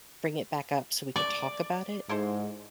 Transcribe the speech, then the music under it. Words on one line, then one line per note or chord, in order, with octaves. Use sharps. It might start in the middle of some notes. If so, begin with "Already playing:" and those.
bring it back up so we could talk about it
A3 D5 C#6
G#2 E4 A4 C5